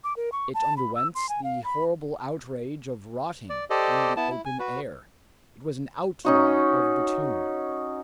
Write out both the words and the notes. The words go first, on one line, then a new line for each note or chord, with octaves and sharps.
It underwent the horrible outrage of rotting in the open air; it was an outlaw of the tomb.
D6
A#4
C#6
A5
B5
E6
C6
G#5
F5
B5
D5
G4 A4 C5 D5 D#5
B3 E4 A5
E4
G#5
F#4 B4
C#4 D#4 F#4